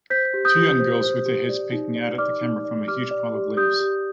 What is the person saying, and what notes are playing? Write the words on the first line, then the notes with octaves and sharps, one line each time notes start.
Two young girls with their heads peeking out at the camera from a huge pile of leaves.
C5 G6 B6
G4
D#6 G6
G4
C5
C5
G4
D5
D#4
D5
D5 D6 F6
D#4
D5
G4 D6 F6
D5
G4
G4 D#6 G6
G4